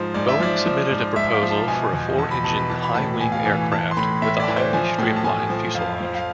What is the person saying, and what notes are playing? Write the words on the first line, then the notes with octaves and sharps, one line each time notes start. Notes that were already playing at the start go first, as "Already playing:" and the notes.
Boeing submitted a proposal for a four-engine, high-wing aircraft with a highly streamlined fuselage.
Already playing: G#2 F3 C5
G#2 D5
E5
F3 D5
F3
G#2
G#2 E5
F5
F3
A5
B2 G#5
E2
E2 A5
B5
B2 A5
B5
E3 A5
B5
A2 A5
A2 G#5
F5
E3 G#5
E3 A5
C6
A2 B5
A2 E5
D5
E3
C5
F3 G#5
A2
A5
A2 G#5
F3
F2 F5
F3
F5